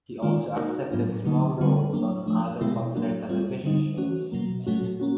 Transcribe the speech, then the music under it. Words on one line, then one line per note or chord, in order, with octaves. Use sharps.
He also accepted small roles on other popular television shows.
D#3 G#3 C#4 F4
A#3 D#4 F#4 A#4
A2 F#3 B3 D4 F4
D3 F#3 A#3 D#4
D3 G3 C4 F4
F#3 A#3 D4
F3 A3 D4
B2 G#3 B3 E4 G4
F#3 A#3 D4 F#4
G3 C4 F4
D3 G3 C4 D#4
E3 A3 C#4 F#4
B2 F#3 A#3
A#2 F#3 A3 C#4 F#4
A#3 C#4 F#4